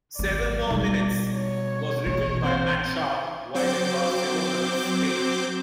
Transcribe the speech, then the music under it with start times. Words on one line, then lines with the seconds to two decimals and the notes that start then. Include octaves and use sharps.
"Seven More Minutes" was written by Matt Sharp while in Barcelona, Spain.
0.19 G#1 F#3 D5
0.70 B2 G3 D#4
1.35 C#5
2.06 A#1 E3 C#5
2.44 C4 C5
3.55 F#3 C4 C5 D6 G6